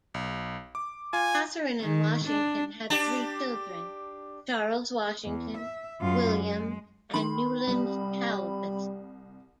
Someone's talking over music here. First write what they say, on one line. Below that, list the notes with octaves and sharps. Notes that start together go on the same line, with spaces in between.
Katharine and Washington had three children: Charles Washington, William, and Newland Talbot.
B1
D6
F4 G#5
D#3
D4
D4 G4
E2
E5
F#2 F4
G#3
D#3 B5 C6
C2 G3